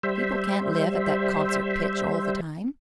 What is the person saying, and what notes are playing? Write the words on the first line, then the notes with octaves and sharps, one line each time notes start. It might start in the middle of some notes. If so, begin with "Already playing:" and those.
People can't live at that concert pitch all the time.
G3 C5 E5